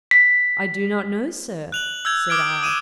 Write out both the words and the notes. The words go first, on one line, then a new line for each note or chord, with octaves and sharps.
"I do not know, sir," said I.
B6
F#6 F7 F#7
E6 G6 G#6 F7
D6 D#6 F6 G#6 D7
D#6 D#7 E7